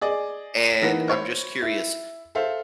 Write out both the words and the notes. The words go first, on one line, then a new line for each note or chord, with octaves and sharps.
and I'm just curious,
G#4 D5 D#5
E3 A#3 D#4 B4 F#5 A#6
C5 C#5 B5
E4
A4 C5 E5 F5